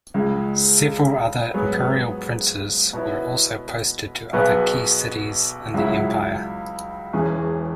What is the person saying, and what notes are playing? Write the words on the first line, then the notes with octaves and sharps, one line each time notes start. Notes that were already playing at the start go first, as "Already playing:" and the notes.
Several other imperial princes were also posted to other key cities in the empire.
C#2 C#3 G#3
G#2 F#3 B3 G#4 C#5
B2 B3 E4 C#5
B1 B2 B3 G#4 B4
C#2 C#3 F#3 E4
E1 E2 E3 C#4 G#4